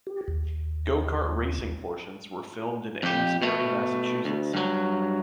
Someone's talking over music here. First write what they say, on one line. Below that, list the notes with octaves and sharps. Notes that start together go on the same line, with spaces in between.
The go-kart racing portions were filmed in Amesbury, Massachusetts.
G4
D#2
F2 G4
B2 A3
D2
G2 F#3